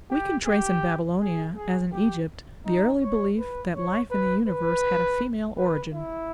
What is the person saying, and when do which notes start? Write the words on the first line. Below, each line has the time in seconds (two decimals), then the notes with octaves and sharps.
We can trace in Babylonia, as in Egypt, the early belief that life in the Universe had a female origin.
0.10 G4
0.46 G4
1.20 G#4
1.55 G#4
1.92 G4
2.65 D#4
3.01 C#5
3.38 B4
3.75 C#5
4.11 B4
4.48 B4
5.57 B4
5.93 E4